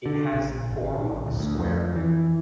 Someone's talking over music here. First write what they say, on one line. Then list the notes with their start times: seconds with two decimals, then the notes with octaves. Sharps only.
It has a form of a square.
0.06 D3
0.33 A#1
0.71 G#1
1.01 A#1
1.26 D1
1.39 D2
1.58 F2
1.96 E3